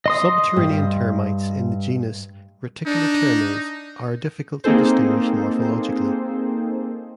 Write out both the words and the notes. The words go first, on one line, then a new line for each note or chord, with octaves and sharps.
Subterranean termites in the genus "Reticulitermes" are difficult to distinguish morphologically.
D#5 C6 D#6
G2
D4 D#4
A#3 C4 D#4 G#4 A4 C5